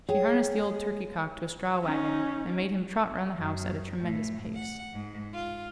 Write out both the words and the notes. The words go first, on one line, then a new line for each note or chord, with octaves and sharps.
She harnessed the old turkey-cock to a straw wagon, and made him trot round the house at a tremendous pace.
G#4 C#5 G5
C#4 D#4
F#2
A2
F#5
G#2
F4